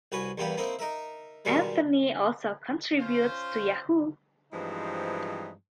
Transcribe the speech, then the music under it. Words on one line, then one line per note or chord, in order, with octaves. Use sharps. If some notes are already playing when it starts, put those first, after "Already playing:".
Anthony also contributes to Yahoo!
C2 F#4 B4 C#5 G#5
E2 G2 A#3 B3 G4
A#3 C4 D#4 E4
D#4 A#4 E5
B2 D#3 G3 G#3
C#4 F4 C5
G2 E3 F3 G#3 C4 D#4